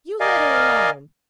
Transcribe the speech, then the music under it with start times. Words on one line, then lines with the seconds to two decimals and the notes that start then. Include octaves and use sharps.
You let it alone!
0.20 A#4 D5 D#5 F5 G#5